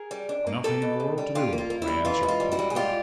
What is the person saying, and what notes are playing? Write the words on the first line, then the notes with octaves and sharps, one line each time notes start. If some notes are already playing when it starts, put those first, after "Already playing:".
"Nothing in the world to do!" I answered promptly.
Already playing: G#4 A#4
G3
D4
A#3
A#3 G4 A4
B2
B2
G3
A#3 F4 G4
A#3
F4
A#3
E4
G3
E3 F4
G#2
F4
G3
E4 F#4
G3
G#4
G#2 F4 G4